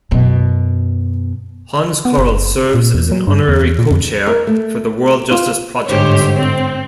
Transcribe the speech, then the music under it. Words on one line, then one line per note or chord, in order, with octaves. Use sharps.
Hans Corell serves as an Honorary Co-Chair for the World Justice Project.
F#2 B2
B3
F#1
A#2
E2
F#3
G2
E2
A#2
F2
A#4
A3
F4
G1 G#2 D3 G4 C5 C#5
C4